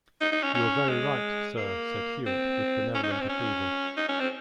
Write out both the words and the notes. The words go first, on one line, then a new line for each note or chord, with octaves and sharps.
"You are very right, sir," said Hewitt with benevolent approval.
D#4
D#4
C#4
C#4
G#3
A#3
C4
C#4
D#4
C#4
C4
C#4
D#4
C#4
C4